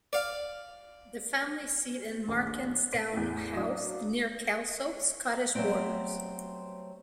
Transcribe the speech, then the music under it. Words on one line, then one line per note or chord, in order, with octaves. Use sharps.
The family seat is Makerstoun House, near Kelso, Scottish Borders.
D5 F5
A#1 D#2
B6 D7 D#7
E2 A2
F#3 D4 F5 D#6
F#3 G3 A3 B3 C4